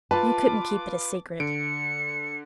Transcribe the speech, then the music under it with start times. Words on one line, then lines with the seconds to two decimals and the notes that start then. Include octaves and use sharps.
You couldn't keep it a secret.
0.11 F4 B4 A5 D6
1.40 D3 C#7 D7